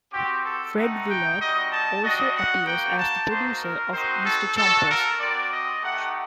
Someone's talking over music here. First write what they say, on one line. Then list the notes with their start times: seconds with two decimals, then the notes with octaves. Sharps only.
Fred Willard also appears as the producer of Mr. Chompers.
0.13 C4 F#4 G4
0.44 A4
0.76 A3 C4 D#4 G4 F#5
1.08 G5
1.39 G3 C4 D#4 F#4 D#5
1.71 A5
2.03 G3 D4 F#4 D#5
2.35 F#5
2.66 A#3 F#4 G5
2.98 A5
3.30 A#3 D#4 F#4 C5
3.61 A#4
3.93 C4 D#4 F#4 C5
4.24 A4
4.57 A#3 D4 F#4 A4
4.89 A#4
5.19 C4 F#4 D5
5.52 D#5
5.83 A3 D#4 G4 F#5